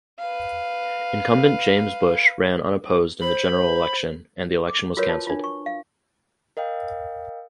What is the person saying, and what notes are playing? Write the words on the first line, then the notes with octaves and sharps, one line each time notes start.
Incumbent James Bush ran unopposed in the general election and the election was canceled.
B4 F5
C5 B5
D6
F4 F#4 A#4 B4 C#5
F4 A5
D4 F4
C#6
F5
A#4 D#5 F5 G5